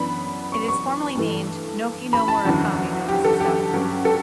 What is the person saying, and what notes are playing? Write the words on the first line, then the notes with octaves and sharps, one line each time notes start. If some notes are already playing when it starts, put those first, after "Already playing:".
It is formally named "Nochi no Mukarami no misasagi".
Already playing: F#2 E3 B3 D4 B5
C#6
C#6
G2 E3 A3
B5
A5
F#1 E2 D3 F#3
G4
A4
G4
G2 F#3 C#4
A4